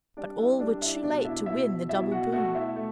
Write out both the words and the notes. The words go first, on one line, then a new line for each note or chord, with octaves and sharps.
But all were too late to win the double boon.
G3 D4 D5
E4 E5
G3 D4 D5
E4 E5
B2 D4 D5
E4 E5
B2 E4 E5
B2 E4 E5
F#4 F#5
A3 F#4 F#5
E4 E5
A3